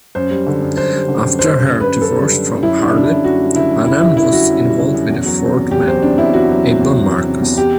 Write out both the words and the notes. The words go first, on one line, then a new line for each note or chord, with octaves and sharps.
After her divorce from Harlib, Annan was involved with a fourth man, Able Marcus.
F#2 C5
G3
D3
F#2
F#2 C5
G3
D3
F#2
F#2 C5
G3 C5
D3
B4
F#2
F#2 A4
G3
D3
F#2
F#2 E4
G3 D4
D3 D4
E4
F#2
F#2 F#4
G3
D3 E4
F#2
F#2 E4
G3 E4
D3 E4
F#2 F#4
F#2
G3
D3
F#2
E2
F#3
C3
E2
E2 G4
F#3 C5
C3 D4
E2 E4
E2 F#4
F#3
C3
E2
E2
F#3
C3
E2
G4